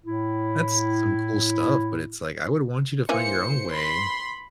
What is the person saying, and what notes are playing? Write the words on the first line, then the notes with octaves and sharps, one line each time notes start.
that's some cool stuff, but it's like, I would want you to find your own way.
A2 E4
E3 A#3 C5 G#5 C#7
B5 C6